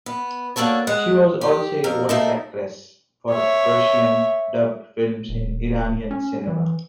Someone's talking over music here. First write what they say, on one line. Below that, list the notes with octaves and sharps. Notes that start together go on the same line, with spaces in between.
She was also a voice actress for Persian-dubbed films in Iranian cinema.
B3
A#3 D4 F#4 A4 C#5
G#3 F#5
G4
F2 A#4
A3 A#3 D#4
C#5 E5
D#1
C#4
E3